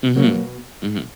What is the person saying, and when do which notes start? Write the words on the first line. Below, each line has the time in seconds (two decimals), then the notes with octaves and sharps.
Mhm. Mhm.
0.16 B2 F#3 A#3